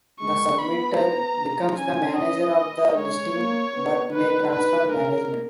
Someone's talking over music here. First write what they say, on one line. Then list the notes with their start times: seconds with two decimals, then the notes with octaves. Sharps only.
The submitter becomes the manager of the listing but may transfer management.
0.20 G#3 C#6
0.58 B3 B5
0.98 A#5
1.76 C#4 G#5
2.17 D#5
2.95 G#3 C#5
3.34 A#3
3.74 B3
4.12 D#4 B4
4.52 B4
4.91 A#4